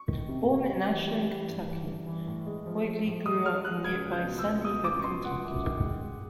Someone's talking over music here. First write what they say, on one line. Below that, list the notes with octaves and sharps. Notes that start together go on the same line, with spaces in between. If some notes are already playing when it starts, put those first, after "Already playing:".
Born in Ashland, Kentucky, Whitley grew up in nearby Sandy Hook, Kentucky.
Already playing: C#6
D#3
C3
G3
G3
E3
G3
E3
G2
E3
G2
E3
A2
G#3
F3
F3
A2
G#3 D#6
G#3 F6
G#3 F#6
C#2 G#6
C#2
G6
B2
E6
C#2
B2 D#6
C#2 D6
C#6
B2 C6
C#2 F#5
F#2
D#3
G#3
G#3